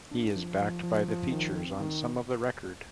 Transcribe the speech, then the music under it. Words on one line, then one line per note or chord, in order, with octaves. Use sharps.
He is backed by the Features on some of the record.
D4
F3
F3
F3
F3
D#3
C4
D#3